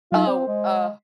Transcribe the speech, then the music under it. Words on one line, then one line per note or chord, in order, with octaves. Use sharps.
Oh, uh,
F#3 D#4 F4
C4 C5
G#3